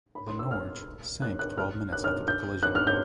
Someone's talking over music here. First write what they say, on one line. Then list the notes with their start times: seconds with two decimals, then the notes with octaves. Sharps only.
The "Norge" sank twelve minutes after the collision.
0.15 B5
0.27 C6
0.39 E6
0.51 F6
1.22 F#6
1.39 F#6
1.57 F6
1.92 F#6
2.04 F6
2.28 G6
2.63 F#6
2.75 F6
2.87 G6